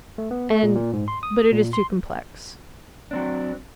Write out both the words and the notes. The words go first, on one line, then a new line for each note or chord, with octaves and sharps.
And--but it is too complex.
A3
B3
A3
A#2
A#2
G#2
C6
D#6
A#2
C6
F#3 C4 D4